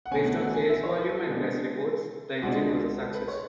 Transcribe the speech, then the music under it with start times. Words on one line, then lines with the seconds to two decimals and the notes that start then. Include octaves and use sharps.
Based on sales volume and press reports, the engine was a success.
0.06 F#5
0.12 B2 A3 C#4 G#5
0.26 F#5
0.41 F#5
0.55 G#5
0.69 E5
0.83 C#5
0.98 B4
1.13 A4
1.27 B2 G#3 D4
2.42 C#2 B2 G#3 D4 F#4
3.00 A4
3.14 B4
3.28 C#5